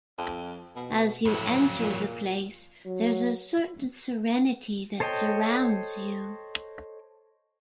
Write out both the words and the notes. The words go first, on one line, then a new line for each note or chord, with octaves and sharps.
As you enter the place there's a certain serenity that surrounds you.
F2
B2
F2 A2 F#3
A#2
F#3
A4 C5 C#5 D#5 G5